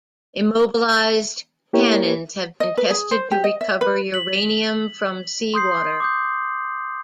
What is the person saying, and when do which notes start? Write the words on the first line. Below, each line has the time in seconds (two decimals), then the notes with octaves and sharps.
Immobilized tannins have been tested to recover uranium from seawater.
1.73 A#3 E4 G4 A#4 C#5
2.60 D#5
2.77 B4
2.90 G#4
3.11 C5
3.31 G4
3.44 D#5
3.61 E5
3.81 B4
4.14 B6 F#7
5.54 C6 D#6 G6 C7
6.00 D6 D#6 G6